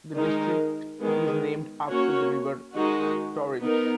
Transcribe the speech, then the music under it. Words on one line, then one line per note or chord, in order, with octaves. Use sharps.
The district is named after the River Torridge.
D#3 G#3 D#4 A#4
D#3 G#3 B3
A#3 C#4 F#4 C#5
D#3 G#3 D#4 F#4
B3 D#4 A#4